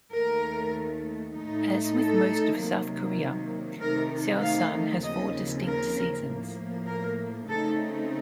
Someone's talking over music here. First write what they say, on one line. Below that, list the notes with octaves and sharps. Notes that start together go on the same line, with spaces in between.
As with most of South Korea, Seosan has four distinct seasons.
D#2 D#3 A3 A#4
A2 A3 D#4
A4
C3 D#3 F#3 A#3
C3 D#3 A3 D#4 A#4
F5
D#2 C#3 F3 C4 D#5
A#4
A2 F3 A#3
A#4
C#3 A3 C4 D#4 A4